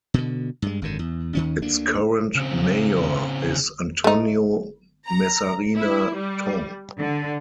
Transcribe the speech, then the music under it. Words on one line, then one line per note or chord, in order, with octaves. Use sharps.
Its current mayor is Antonio Mezzarina Tong.
B2 D3
G2 G#3
G#1 F#2 D3
E2
D#2 D#3 C#4
D2 A#3 D4
C#3 C4
A3 D#4
A#5
E4
G3
D3